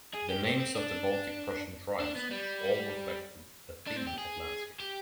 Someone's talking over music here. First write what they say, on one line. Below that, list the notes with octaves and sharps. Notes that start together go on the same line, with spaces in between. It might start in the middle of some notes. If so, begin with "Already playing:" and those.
The names of the Baltic Prussian tribes all reflected the theme of landscape.
G#4
G4
C4
C4
D4
D4
B3
G3
D4
C4
G4
G#4
G4